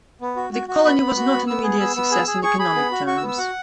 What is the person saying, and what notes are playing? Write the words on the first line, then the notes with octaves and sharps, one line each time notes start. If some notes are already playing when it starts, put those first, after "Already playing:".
The colony was not an immediate success in economic terms.
B3
F#4
F#4
F#4
B3 B5
B3
F#4
B3
B3 E6
G#4
B3 E6
B3
G#4
G#4
G#4 C#6
G#4 B5
B3
F#4
F#4 C#6
E6
B3
E6
F#4 F#5